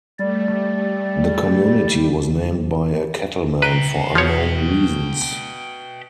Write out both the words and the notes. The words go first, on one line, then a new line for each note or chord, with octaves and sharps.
The community was named by a cattleman for unknown reasons.
G3 A3 D5
B4 E5 G5 A#5 D7
B2 F3 C#5